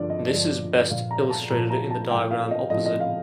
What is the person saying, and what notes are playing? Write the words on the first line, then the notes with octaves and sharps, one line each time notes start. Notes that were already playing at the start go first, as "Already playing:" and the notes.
This is best illustrated in the diagram opposite.
Already playing: G2 D3 F3 D5
D#5
G2 D3 F3
A#2 F3 F5
A#5
A5
A#2 F3 A#5
A#5
A5
A2 F3 G5
F5
D#5
A2 F3 D#5
D#5
F5